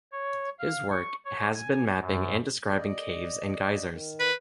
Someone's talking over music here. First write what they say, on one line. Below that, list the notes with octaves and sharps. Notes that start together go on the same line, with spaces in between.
His work has been mapping and describing caves and geysers.
C#5
F5
C#6
C#5
G#5
F#2
D5 D#5
D#3
B4